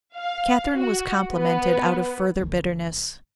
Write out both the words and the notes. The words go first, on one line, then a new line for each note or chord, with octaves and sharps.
Catherine was complimented out of further bitterness.
F5
F#4
B3
F#1 D2